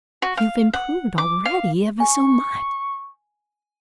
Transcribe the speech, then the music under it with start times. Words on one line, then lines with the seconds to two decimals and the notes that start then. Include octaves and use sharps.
You've improved already, ever so much.
0.22 F#4
0.37 F5
0.73 F#5
1.18 D6
1.45 F5
2.00 G#5 C#6